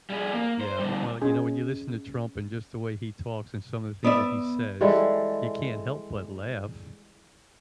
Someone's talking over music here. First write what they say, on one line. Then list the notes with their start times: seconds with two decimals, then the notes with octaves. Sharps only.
Yeah, well, you know, when you listen to Trump and just the way he talks and some of the things that he says, you can't help but laugh.
0.10 G3 G#4
0.33 A#3
0.61 C5
0.79 D2 G3
1.22 C#4 G#4
4.04 B3 D5 E5
4.81 E3 G3 G#3 A4